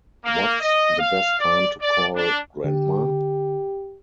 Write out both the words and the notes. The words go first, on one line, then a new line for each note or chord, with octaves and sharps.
What's the best time to call grandma?
A#3
D#5
F5
D5
D5
D4
D3 G4